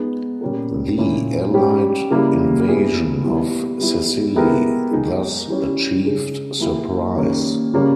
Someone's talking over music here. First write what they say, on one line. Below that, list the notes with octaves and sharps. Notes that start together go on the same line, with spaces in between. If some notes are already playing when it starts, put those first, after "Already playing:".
The Allied invasion of Sicily thus achieved surprise.
Already playing: G#3 B3 D#4
A#2 G3 C#4 G4 A#4
A#2 A#3 C#4 E4
G3 C#4 G4
C#3 G3 A#3 E4
G3 B3 E4 G#4
E3 G3 B3 E4
G3 B3 E4
G#3 B3 E4 G4 A#4
G#3 D#4 G#4
E3 G3 C#4
C#3 G#3 D#4 G#4
E3 A#3 E4 G4
D#3 G3 A#3 C#4
C#3 G3 A#3 C#4